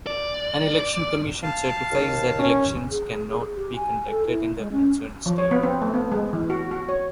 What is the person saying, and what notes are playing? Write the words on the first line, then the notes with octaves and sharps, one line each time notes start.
An election commission certifies that elections can not be conducted in the concerned state.
D5
F5 A5
D#2
C#4
G#4
G4
G#5
A4
E4
G#3
C#4
F3
C#5
B3
C4
A3
B3
G#3
E3
F#4
F#4
C#5